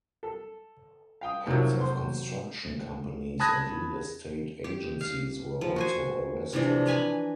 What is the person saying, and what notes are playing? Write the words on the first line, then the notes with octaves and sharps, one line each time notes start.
Heads of construction companies and real estate agencies were also arrested.
A4
F5 G5 D#6
C3 D#3 F3 F#3
C5 C6
A5 B5 D#6 F#6 G#6 A#6
G4
F5
F3
F#4 C5 G#5
C3 E3 F3 D4
B4 G#5 A#5 B5